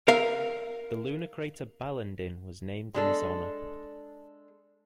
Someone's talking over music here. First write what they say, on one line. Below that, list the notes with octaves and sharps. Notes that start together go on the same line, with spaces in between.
The lunar crater Balandin was named in his honour.
A#4 E5 F5
G#3 D4 A4